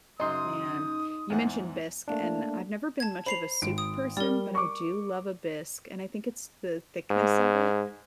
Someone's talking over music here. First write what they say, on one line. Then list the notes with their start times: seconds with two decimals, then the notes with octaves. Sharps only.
Man, you mentioned bisque and I've never been much of a soup person, but I do love a bisque. And I think it's the thickness of it.
0.20 F#2 C#3 D#4 C6 D#6
1.30 E2 G#2 F#5
2.08 A3 A#3 D4
3.00 A5 G#6
3.26 C5 B5 C7 F7
3.62 G#1 D7
3.78 D#6
4.17 G3 A#4 D5
4.55 C#6 D6
7.11 G#2